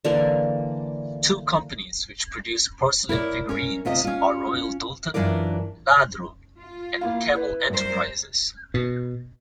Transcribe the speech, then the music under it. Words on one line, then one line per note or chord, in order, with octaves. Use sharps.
Two companies which produce porcelain figurines are Royal Doulton, Lladró and Camal Enterprises.
D3 E3 A#3
E4 A#4 C#5 D5
C#4 A#4
D2 C3 F4 D#5
C#4 F4
F#2 E3 D4 F4 A#4 D5
F4
A#3 E4 F5
E4 B4
F#2 G3 A#4 C5
B2